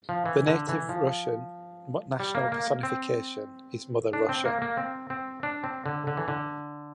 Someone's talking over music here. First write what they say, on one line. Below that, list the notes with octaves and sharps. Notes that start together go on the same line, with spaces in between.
The native Russian national personification is Mother Russia.
F3
E3
D3
E3
F3
G3
A#3
A#3
C4
D4
C4
A#3
A#3
C4
C4
D4
C4
D3
D3
E3
D3